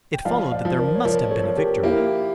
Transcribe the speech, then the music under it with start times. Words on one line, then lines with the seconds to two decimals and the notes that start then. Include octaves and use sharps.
It followed that there must have been a victory.
0.14 G5
0.25 F3 D5 F5
0.52 D5 F5
0.65 F3
0.78 A#4 D5
0.95 C#5
1.05 F3 A#4 D5
1.23 D5
1.31 A4 C#5
1.44 F3
1.57 G4 A#4
1.83 A#3 E4 G4